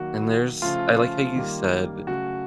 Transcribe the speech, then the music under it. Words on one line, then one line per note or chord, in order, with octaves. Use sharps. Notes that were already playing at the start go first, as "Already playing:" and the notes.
And there's I like how you said,
Already playing: D#3 F#3 A#3 F#4
C#3 F3 A3 F4
D#3 G3 A#3
C#3 F#3 A3 F#4